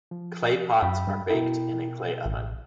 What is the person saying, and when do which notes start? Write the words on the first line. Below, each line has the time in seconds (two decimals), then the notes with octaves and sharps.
Clay pots are baked in a clay oven.
0.11 F3
0.82 F#2 G5 B5
1.07 G2
1.30 B2 E4 A#4 G5
2.25 A1